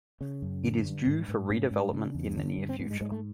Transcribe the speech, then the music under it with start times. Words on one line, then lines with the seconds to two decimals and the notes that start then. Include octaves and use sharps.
It is due for redevelopment in the near future.
0.21 C#3 C#4
0.42 F#2
0.64 D3
0.85 G2
1.07 G#2
1.28 G#2
1.50 G#2 C#4
1.71 G#2
1.93 C#3 D4
2.15 E2
2.36 D3 C#4
2.58 G2
2.69 C4
2.79 G#2 B3
2.90 G#3
3.01 G#2 G#3
3.12 A3